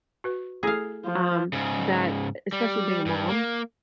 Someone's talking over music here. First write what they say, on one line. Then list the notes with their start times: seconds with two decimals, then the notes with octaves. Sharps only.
um, that, e especially being a mom,
0.24 F#4 B4
0.63 A3 E4 G#4 A4 F5
1.05 F3
1.53 G#2 C#3
2.52 G3
3.06 G2
3.29 A#3